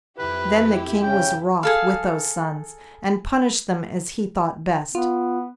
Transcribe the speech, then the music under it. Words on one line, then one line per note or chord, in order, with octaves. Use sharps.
Then the King was wroth with those sons, and punished them as he thought best.
F2 E4 G4 B4
C#3 C#4 G5
G#4 A4 F5
B3 F4